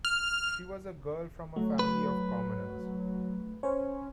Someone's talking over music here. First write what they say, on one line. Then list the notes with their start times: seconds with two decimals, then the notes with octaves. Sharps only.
She was a girl from a family of commoners.
0.05 F6
1.56 F#3 A3
1.79 B4
3.63 C#4 C5 C#5